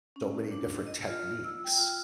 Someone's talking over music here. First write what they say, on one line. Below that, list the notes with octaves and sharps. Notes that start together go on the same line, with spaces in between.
so many different techniques
C#4
D4
D#5
F4
E6
G5
F4